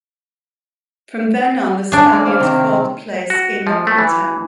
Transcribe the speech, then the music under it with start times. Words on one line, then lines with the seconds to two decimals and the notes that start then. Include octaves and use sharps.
From then on, the Spaniards called the place "Inoquitan".
1.92 D4 G#4
2.12 E3 C#4 D5
2.25 C5 D5 F5
2.40 C3 D#3 C4
3.30 F#4
3.67 F3
3.87 A3
3.99 E3